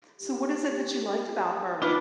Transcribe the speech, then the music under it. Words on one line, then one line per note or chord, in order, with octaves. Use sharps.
So what is it that you like about her? Like,
G4
B3 D4 D#4 F4 D6